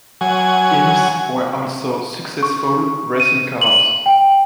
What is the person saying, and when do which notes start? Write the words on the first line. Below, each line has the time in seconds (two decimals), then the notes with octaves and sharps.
Imps were also successful racing cars.
0.21 F#3 G#5
2.43 C#6
3.20 D#7
3.61 F#7
4.06 G5